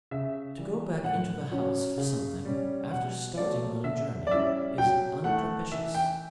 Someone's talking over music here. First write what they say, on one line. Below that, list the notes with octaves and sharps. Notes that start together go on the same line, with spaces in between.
To go back into the house for something after starting on a journey is unpropitious.
C#3 E5
E3 G3
A2 F#5
F#3 C#4
C#3
G3 C#4
B2 F#5
F#3 A3 D5
D3 E5
D5
G3 C#4 E4 E5
F#3 G5
A3 E4 F#5
E3 E5
G5